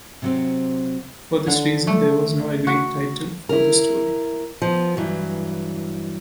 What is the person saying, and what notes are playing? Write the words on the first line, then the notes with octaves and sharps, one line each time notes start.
For this reason, there was no agreed title for the story.
C3 F#3 C4
D3
A3
F#4
E4 A#4
F3 B3
G2 E3 F#3